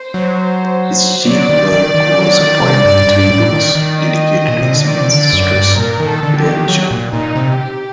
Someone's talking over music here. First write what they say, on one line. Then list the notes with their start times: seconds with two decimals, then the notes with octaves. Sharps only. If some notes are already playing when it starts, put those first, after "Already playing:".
His chief work was a poem in three books, dedicated to his mistress Leontion.
Already playing: C5
0.14 F#3
1.27 F#3 D5
1.49 D#3
1.72 D#3
1.95 D#3
2.18 F#3
2.40 D#3
2.62 C3
2.85 G2
3.07 G2
3.30 A2
3.52 D#3
3.75 D#3
3.98 D#5
4.48 A#2
4.62 C3
4.74 D3
4.87 D#3 D5
5.01 C3
5.11 D3
5.33 F#2
5.55 G2
5.77 A#2 A#4
6.00 D#3
6.08 A4
6.23 D3
6.38 G4
6.46 D#3
6.68 F#3
6.91 A#2
7.13 A#2 D#4
7.36 C3
7.58 G4